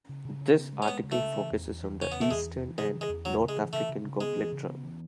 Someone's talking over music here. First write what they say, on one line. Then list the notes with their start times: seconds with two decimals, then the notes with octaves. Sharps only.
This article focuses on the "Eastern" and "North-African" goblet drum.
0.09 C#3
0.25 C#3
0.41 C#3
0.56 B3
0.73 G#3
0.82 C#4
0.88 G#3 B3
1.03 C#3
1.12 A3
1.20 C#3
1.35 E3
1.51 E2
1.67 E2
1.83 E2
1.99 C#3 C#4
2.12 E3 B3
2.21 A3
2.31 E2 G#3
2.46 E3
2.62 E3
2.78 C#3 G#3
2.94 E3
3.01 G#3
3.09 E2
3.25 C#3 F#3
3.41 C#3
3.49 G#3
3.57 E3
3.73 C#3 A3
3.89 C#3
4.04 C#3
4.21 G#3 B3
4.37 E3
4.52 C#3
4.68 B3
4.84 E3